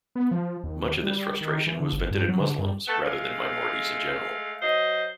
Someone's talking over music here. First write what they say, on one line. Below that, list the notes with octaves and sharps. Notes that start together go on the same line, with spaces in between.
Much of this frustration was vented at Muslims rather than minorities in general.
B3
F3
D#2
G3
D#3
E3
D3
G1
G2
F#3
D3
G2
A3 B3 A4
G#3 A3 F5
F#3 C5 D#5